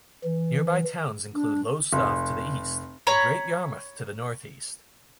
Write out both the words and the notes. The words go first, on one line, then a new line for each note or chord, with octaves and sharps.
Nearby towns include Lowestoft to the east and Great Yarmouth to the northeast.
E3
D4
F1
C#5 A#5 B5